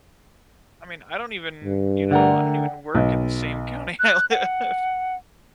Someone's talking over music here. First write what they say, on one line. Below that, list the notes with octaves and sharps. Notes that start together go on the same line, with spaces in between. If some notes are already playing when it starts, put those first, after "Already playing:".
I mean, I don't even, you know, I don't even work in the same county I live in,
G2
D3 A3 A#4 D5 F#5 G5
B1
F#6
F#5